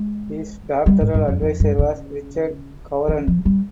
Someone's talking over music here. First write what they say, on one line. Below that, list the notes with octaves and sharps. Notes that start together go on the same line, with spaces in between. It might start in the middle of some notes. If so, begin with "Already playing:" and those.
His doctoral advisor was Richard Courant.
Already playing: G#3
G3
G#2
G2
F2
F2
G2
C#3
D#3
F3
G3